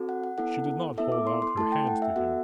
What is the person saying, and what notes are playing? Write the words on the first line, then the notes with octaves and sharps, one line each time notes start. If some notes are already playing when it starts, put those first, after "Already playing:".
She did not hold out her hand to him.
Already playing: C4 F#4 A4
F#5
F#5
B3 E4 A4 F#5
B3 E4 A4 E5
D6
C6
C6
A3 E4 A4 A5
G5
F#5
E5
B3 F#4 A4 F#5